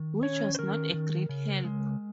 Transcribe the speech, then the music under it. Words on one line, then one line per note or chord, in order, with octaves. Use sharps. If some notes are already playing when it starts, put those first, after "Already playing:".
Which was not a great help.
Already playing: D#3
C#4 C#5
C5
D#3 A#4
D#3
C#3
G#3